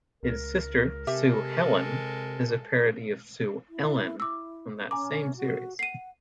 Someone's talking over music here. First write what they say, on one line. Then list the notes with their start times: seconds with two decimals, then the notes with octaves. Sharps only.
His sister, Sue Helen, is a parody of Sue Ellen, from that same series.
0.23 C#2 A#4
1.07 C3 G#3 G4 A4 E5
3.69 E4
4.20 E4 D6 E6
4.91 C#4 G#5 A#5 D6
5.37 F#4
5.79 F#5 C7 D#7